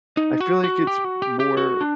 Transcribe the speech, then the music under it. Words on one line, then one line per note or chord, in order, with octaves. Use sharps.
I feel like it's more
D#4
F#4
F#4
G4
F#4
G4
G4
F#4
D4